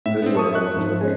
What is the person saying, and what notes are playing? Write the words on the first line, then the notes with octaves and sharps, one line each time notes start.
anywhere, I don't think.
A2 E5
B3 C4 D4
A#4 E5 A5 C#6 D#6
E5 C#6 F#6
G#2 F3
G#3 C#4 C5 G#5